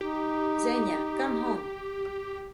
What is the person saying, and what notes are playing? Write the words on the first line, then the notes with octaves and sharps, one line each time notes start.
Zhenya, come on!
D#4 G4